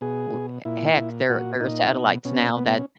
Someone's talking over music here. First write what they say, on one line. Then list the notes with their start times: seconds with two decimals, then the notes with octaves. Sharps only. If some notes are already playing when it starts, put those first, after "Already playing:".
W heck, there there are satellites now that
0.01 B2 G#4
0.33 B2
0.65 A#2 E4
0.97 A#2
1.30 A#2 F#4
1.60 A#2 D#4
1.93 B2
2.25 B2 C#4
2.57 B2 B3
2.68 B3
2.78 C#4